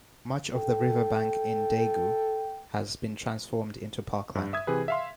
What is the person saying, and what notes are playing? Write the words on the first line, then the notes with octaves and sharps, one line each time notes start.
Much of the riverbank in Daegu has been transformed into parkland.
A4 G5
G2
E5 D#6 G#6
C3 E3 G#4 B4
E5 F5 C6